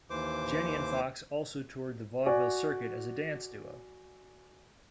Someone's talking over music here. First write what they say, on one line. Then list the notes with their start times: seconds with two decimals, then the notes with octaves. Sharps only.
Jenny and Fox also toured the vaudeville circuit as a dance duo.
0.10 D#2 E3 C5 D6
2.26 F#4 D5 G#5